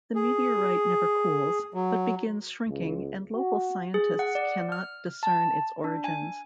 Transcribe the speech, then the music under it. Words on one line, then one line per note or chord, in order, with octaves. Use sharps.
The meteorite never cools, but begins shrinking and local scientists cannot discern its origins.
G#4
F#3
C#2
F#4
G#4
F#5
D5
F6
A5
D4
G#5